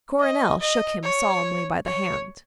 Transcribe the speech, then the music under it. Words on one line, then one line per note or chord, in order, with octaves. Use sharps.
Coronel shook him solemnly by the hand.
D#5
D#5
C#5
C#5